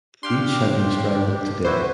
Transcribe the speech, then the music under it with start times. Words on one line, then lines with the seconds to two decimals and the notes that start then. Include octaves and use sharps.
Each had been strangled to death.
0.23 D4 G4 F5 G5 C6
1.65 E4 F#4 B4 C5